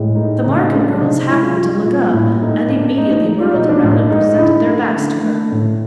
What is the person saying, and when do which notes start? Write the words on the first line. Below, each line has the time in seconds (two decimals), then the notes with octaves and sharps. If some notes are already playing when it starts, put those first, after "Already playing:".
The Marken girls happened to look up, and immediately whirled around and presented their backs to her.
Already playing: A2 G#3
0.15 A3 D#4
0.44 C#3 D#4
0.72 G#3 D4
0.93 D4
1.00 C3 D#4
1.28 G#3 E4
1.43 F4
1.56 G3 F4
1.85 A#2 F4
2.13 A2 E4
2.41 A3 D#4
2.69 D3 D4
2.98 A3 D#4
3.26 G#3 D#4
3.40 F4
3.54 B2 D#4
3.69 D4
3.83 A2 D#4
4.10 G#3 D#4
4.29 D#4
4.38 D3 E4
4.67 A3
4.96 D3
5.23 A3
5.52 A2